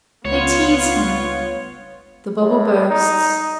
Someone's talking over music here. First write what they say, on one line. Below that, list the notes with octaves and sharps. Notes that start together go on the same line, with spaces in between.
They tease him; the bubble bursts!
C#2 B3 F4 C#5
A2
D#4